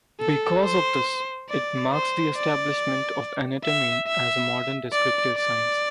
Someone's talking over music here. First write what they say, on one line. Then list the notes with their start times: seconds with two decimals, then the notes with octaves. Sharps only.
Because of this, it marks the establishment of anatomy as a modern descriptive science.
0.21 A4
0.64 C5
1.50 D5
1.93 C5
2.36 D5
3.65 E5
4.08 E5
4.93 D5
5.37 D5